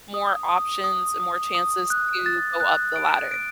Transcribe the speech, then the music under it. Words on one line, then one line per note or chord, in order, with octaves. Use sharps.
more options, and more chances to go up the ladder.
D#6
D#6
D#6
D#6
D#6
F#6
A6
F#6
D7
D7